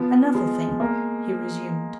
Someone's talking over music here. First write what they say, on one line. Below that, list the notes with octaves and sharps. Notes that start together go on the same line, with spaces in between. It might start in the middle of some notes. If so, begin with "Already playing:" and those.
"Another thing," he resumed.
Already playing: F3 B3
G#3
A#3